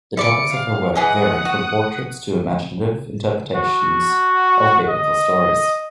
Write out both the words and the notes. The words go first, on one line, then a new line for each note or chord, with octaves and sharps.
The topics of her work varied from portraits to imaginative interpretations of biblical stories.
E4 D5 C#7 D7
F5
E3 G#4 D#5 F#5 D#6
F#4
F#4
D#5